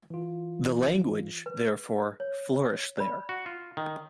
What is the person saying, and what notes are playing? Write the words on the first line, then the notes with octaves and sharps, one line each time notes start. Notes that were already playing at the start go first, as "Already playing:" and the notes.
The language therefore flourished there.
E3 F4
B4
C#5
D5 B5
F#4
F4
D#3